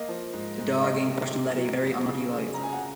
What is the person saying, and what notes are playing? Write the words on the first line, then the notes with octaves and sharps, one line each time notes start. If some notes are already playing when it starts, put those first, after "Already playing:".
The dog in question led a very unlucky life.
Already playing: A#3 D#5
F3
G#2
G#2
C3 D#5
C3
C3
F#3
F2
C#3
C#3
C#3 A#5
G#5
F#5